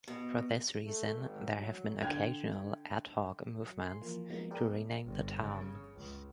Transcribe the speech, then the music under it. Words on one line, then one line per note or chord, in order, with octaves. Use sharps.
For this reason, there have been occasional ad hoc movements to rename the town.
B2
A3
G#1
F#3
D3 G5 G#6 F7
F#3
G#5 C6 C7
E3 F3 A#3
F3 F#3 G#3 A#3 B3 D#4
G#4 A#4 B4 D5 D#5 G5
B2 G#3
G1
C#3
C#2